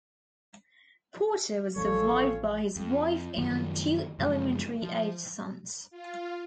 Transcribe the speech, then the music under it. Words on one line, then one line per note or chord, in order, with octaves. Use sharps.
Porter was survived by his wife and two elementary age sons.
A1 F3 G3 C#4 F4 A4 C#5
F2
F#2 D#3 F3
F#2 C#3 F3 G#3
F3
F4